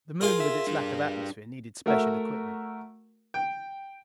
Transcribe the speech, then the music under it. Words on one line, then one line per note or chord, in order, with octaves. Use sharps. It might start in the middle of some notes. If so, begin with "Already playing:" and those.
The Moon, with its lack of atmosphere, needed special equipment.
F4 G#4 A#4
E5
G3 D4
A3 F#4 A#4 E5
G5